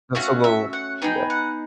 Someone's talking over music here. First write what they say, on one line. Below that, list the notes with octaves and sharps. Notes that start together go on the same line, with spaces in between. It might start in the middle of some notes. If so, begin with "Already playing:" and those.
That's a little yeah.
A3 C#4 F#4 F5
E5
F#5
B3 D#4 G#4 G5
F#5